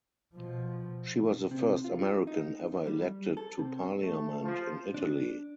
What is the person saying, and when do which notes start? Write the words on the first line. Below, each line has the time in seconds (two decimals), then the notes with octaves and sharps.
She was the first American ever elected to parliament in Italy.
0.35 B2 F3
1.51 C3
1.84 F4
2.27 D#4
2.87 G3
3.37 A4
3.59 C3
3.99 A3
4.42 F3
4.94 D4